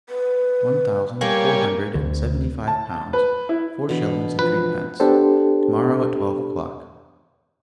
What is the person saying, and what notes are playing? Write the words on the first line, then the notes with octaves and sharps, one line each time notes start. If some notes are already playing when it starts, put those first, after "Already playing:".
One thousand, four hundred and seventy-five pounds, four shillings, and threepence, tomorrow at twelve o'clock.
B4
G3 A#3 C#5 G#5
D2
A5
B4
E4
B2 E3 D4 B5
F3 B4
B3 D4 G4 A4 C5